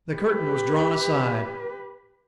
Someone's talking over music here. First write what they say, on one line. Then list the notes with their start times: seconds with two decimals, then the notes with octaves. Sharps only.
The curtain was drawn aside.
0.15 G4 B4